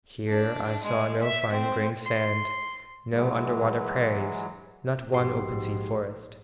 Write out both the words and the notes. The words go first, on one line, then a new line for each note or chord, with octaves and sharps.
Here I saw no fine-grained sand, no underwater prairies, not one open-sea forest.
D4
G#3
E5
C4
C6
E3 F#3 G#3
A#1 G#2 F#4 G4 C6